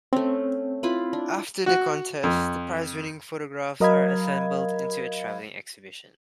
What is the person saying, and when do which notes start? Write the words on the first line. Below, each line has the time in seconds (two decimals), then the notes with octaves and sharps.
After the contest, the prizewinning photographs are assembled into a travelling exhibition.
0.13 A3 C4 C#4
0.83 E4 F4 B4
1.13 D4
1.66 F#4
2.23 F2
3.80 F#3 A#4 D#5 F5 B5 G#6